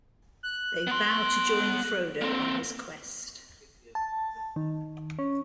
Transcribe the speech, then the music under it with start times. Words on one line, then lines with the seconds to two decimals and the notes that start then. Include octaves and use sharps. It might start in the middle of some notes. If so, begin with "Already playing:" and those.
They vow to join Frodo on his quest.
0.43 F#6
0.87 B3 C6
2.21 A#3 C4
3.95 A5
4.56 D#3
5.19 C#4